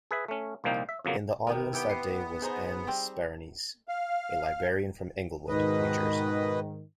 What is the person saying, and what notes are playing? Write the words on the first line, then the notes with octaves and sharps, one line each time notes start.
In the audience that day was Ann Sparanese, a librarian from Englewood, New Jersey.
G#4 B4 E5
A3 C#4
C2 A#2 F3 A#3 D#4 G5
E5
F2 C#3 F#3 A#3
C3 D#3 B3 A#4
B3 E4 G4 G5
B4 C7 C#7
D#4 G#4 C5 A#5
G3 C4
F5
G#2 B2 D#3 B4 D#5